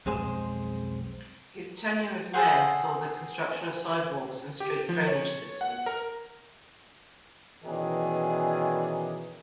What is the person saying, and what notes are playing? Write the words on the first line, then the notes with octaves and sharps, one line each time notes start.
His tenure as mayor saw the construction of sidewalks and street drainage systems.
B1 F2 G#3 C4 G#4 C5
G#4 A4 C5 F#5
G4
F3
C#5
F#5
A#4
B2 D#3 E3 C#4 D4 G#4